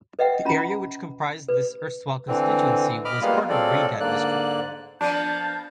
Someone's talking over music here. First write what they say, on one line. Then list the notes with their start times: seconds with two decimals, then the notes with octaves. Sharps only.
The area which comprised this erstwhile constituency was part of Raigad district.
0.19 B4 D#5 E5 F#5 G5
0.45 C#4 F4 A#5 B5
1.48 B4
2.28 D3 E3 C4
3.05 D#5 B5 D6 F6
3.22 G3 G#3 A#3 B3 F4
3.50 F#3 G#3 C4 F4 A4 D5
4.00 G#2 D3 A#3 D5 F#6
5.01 F3 A#3 B3 D4 A5 G6